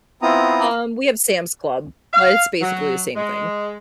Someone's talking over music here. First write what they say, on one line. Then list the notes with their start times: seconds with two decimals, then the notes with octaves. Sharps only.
Um, we have Sam's Club, but it's basically the same thing.
0.22 B3 C4 E4 F4 A#5 D#6
2.13 F5
2.61 F#3
3.16 G#3